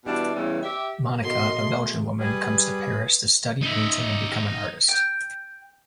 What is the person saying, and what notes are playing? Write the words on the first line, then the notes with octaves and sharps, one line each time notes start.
Monica, a Belgian woman, comes to Paris to study painting and become an artist.
B2 E3 G3 D4
E2 C#3 E3 G3
G4 E5
B2 D#3 A4 D#5 C6
A3 G#4
G3 G#4 B4
D#4 E5
G5